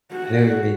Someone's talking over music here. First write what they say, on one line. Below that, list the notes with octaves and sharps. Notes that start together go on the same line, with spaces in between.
I know what you mean.
F#4